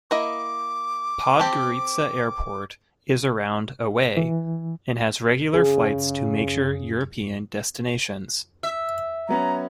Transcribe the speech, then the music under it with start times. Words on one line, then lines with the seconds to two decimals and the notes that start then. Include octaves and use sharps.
Podgorica Airport is around away, and has regular flights to major European destinations.
0.11 A#3 E4 D#5 D6
1.39 C4 G4 A4
4.17 E3
5.54 C#3 G#4
8.63 E5
9.29 F#3 B3 C#4 A#5